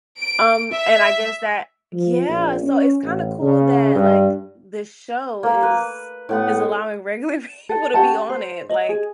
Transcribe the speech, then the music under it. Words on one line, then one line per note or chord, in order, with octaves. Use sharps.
Um, and I guess that yeah, so it's kinda cool that, like, the show is is allowing regular people to be on it, like,
D7
E5
F3
A#1
C#4
A1
C#3
G2
A#3
B4
A2 B3 F#5
A4
C#4 G4 F#5 A5
C5
D#5
G#4